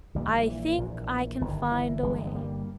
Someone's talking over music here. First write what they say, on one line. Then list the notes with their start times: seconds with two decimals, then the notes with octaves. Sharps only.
"I think I can find a way."
0.15 A#1 A#2 D#3 G3
0.42 D#3
0.47 E3
0.78 A#1 A#2
1.41 G1 G2 D#3
1.72 E3
2.03 G1 G2 E3 G#3
2.27 B3
2.35 G3 A#3